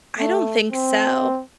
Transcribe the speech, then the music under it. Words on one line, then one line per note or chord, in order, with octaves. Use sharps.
I don't think so. A
A3
C4